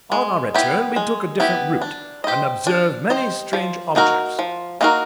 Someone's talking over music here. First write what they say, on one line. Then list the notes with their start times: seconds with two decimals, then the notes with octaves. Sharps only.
On our return we took a different route, and observed many strange objects.
0.12 G#3
0.54 B3 E4 G4
0.96 G#3
1.40 B3 E4 G4
1.81 D4
2.24 G4 C5 D#5
2.67 D4
3.10 G4 C5 D#5
3.53 F3
3.95 A#3 D#4 F#4 A#4
4.39 F3
4.81 A#3 D#4 F#4 A#4